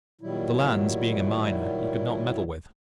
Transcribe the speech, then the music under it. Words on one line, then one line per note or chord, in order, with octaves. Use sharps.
The lands, being a minor, he could not meddle with.
A#2 D#3 F#3 G3 E4